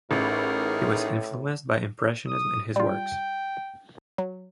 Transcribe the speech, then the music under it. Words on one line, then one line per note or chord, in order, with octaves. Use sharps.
He was influenced by impressionism in his works.
A1 A2 D#4 E4 G#4 A#4
D#6
G3 F4 G5
F#3